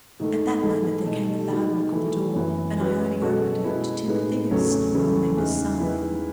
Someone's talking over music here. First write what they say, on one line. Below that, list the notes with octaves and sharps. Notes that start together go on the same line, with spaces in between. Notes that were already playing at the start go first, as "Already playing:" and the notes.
At that moment there came a loud knock at the door, and Ione opened it to Timotheus, a neighbour's son.
G#2 D#3 A3
E3 G#3 D#4 A4
B2 A3 D#4 A4
D#3 G#3 D#4 F#4
E3 A3 E4
F#2 E3 B3
F#3 C#4 F#4 B4
B2 G#3 C#4 F#4 A4
B2 G#3 B3 E4 G#4
A2 G#3 B3 D#4 G#4
E2 C#3 F#3 A3 C#4
C#3 E3 A3
E2 C#3 G#3 D#4
D#3 G#3 B3 E4